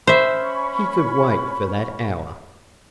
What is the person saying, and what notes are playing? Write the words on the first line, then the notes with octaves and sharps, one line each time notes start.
He could wait for that hour.
C#4 C5 E5 B5 C#6